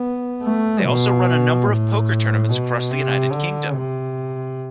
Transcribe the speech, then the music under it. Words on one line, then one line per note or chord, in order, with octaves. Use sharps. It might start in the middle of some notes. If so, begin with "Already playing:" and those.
They also run a number of poker tournaments across the United Kingdom.
Already playing: B3
A3
B2
A2
B2
C3
D3
C3